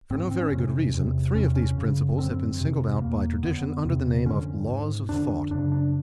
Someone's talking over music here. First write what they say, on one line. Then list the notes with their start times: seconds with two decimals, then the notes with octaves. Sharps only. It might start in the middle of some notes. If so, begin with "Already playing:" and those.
For no very good reason, three of these principles have been singled out by tradition under the name of 'Laws of Thought'.
0.10 G#2 C4
0.31 C4
0.41 C#4
0.52 F2 C3
0.93 E2 C3
1.35 E2 C3 C#4
1.56 C#4
1.77 F#2 C#3
2.18 F#2 D3 C4
2.60 F2 C3
3.01 E2 B2 A#3
3.43 F2 D3 B3
3.84 E2 C3
4.26 F2 D3 C#4
4.68 G#2
5.09 F2 D3 D4
5.51 F#2 C#3 D4
5.72 D4